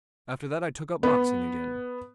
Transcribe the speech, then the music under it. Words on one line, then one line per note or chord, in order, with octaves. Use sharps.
After that I took up boxing again.
B3